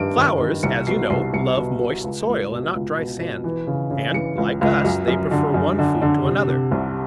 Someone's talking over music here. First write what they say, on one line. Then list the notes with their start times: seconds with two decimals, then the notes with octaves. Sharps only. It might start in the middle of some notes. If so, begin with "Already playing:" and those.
Flowers, as you know, love moist soil, and not dry sand; and, like us, they prefer one food to another.
Already playing: G2 D#3 D7
0.17 D#3
0.40 D#3
0.63 C2 C#7
0.87 B2 C7
1.10 C2 C7
1.33 C2 C#7
1.57 B2
1.80 B2
2.04 C#2
2.27 C#2
2.51 B2
2.74 C#2
2.97 B2
3.21 B2
3.44 E3
3.67 C#3
3.91 C#3
4.14 E3 C#7
4.38 C#2
4.61 C#2
4.85 F#2
5.08 F#2
5.31 D3
5.54 F#2
5.79 D3
6.02 D3
6.25 C3
6.48 C3
6.72 C2